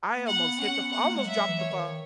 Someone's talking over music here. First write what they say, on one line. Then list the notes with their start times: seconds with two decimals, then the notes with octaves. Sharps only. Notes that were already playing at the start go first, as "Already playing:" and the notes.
I almost hit the fl I almost dropped the phone.
0.14 A#3
0.26 F#5
0.36 B3
0.59 C#4 F#5
0.81 B3
0.92 F#5
1.03 A#3
1.16 G#3
1.25 F#3 E5
1.48 E3
1.59 C#5
1.70 D#3